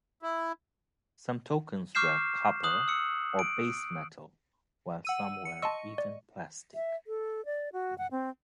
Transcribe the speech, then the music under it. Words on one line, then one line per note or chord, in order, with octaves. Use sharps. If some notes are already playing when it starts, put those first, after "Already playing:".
Some tokens were copper or base metal while some were even plastic.
E4
C#6 D6 F6 G6 C7 E7
D#6 F#6 F#7
E6 C#7
D7
F#5 E6 D#7
C#7
D#5 A5 C6 C#6 E6
D5
E5
A4
D5
F#4
F#5
C4